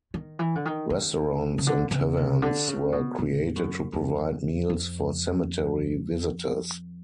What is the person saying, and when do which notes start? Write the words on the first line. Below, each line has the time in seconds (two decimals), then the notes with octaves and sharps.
Restaurants and taverns were created to provide meals for cemetery visitors.
0.14 D#3
0.39 E3
0.55 D3
0.65 D#3
0.90 D#3
1.58 C#3
1.67 D3
1.91 C#3
2.17 C3
2.42 D3
2.68 C#3
2.92 B2
3.19 A2
3.56 F#2
3.93 F2
4.70 F2